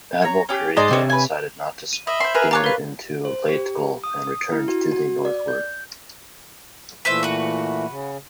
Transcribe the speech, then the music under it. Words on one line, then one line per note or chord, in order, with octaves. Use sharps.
Admiral Kurita decided not to steam into Leyte Gulf and returned to the northward.
C#5 A#5
C#4 G4
G#2 G#3 C5 D5 D#5 A#5
C3 C#5
B4 G#5
D#7
D#5 E5 B5
C5 C6
G#4 A#4 B4
F4 A4 C#5 A#5 D6 F#6
A#4 B4 F5
C5
G4
D#6
E4
F#4
F#4
D5
G6
A#2 E3 A3 B4 C5 E5
F#4 B4
C#3